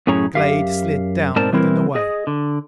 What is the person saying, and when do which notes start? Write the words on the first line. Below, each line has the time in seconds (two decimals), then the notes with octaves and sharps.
The glade slid downward and away.
0.07 F#2 A2 C#4 G#4 C#5 A#5
0.35 F#2 G4 E5 F5
1.36 G#2 C4 A#4 D5 A5 A#5
1.53 E3 G3 C4 E4 A#4
1.95 G#4 D#5
2.27 D3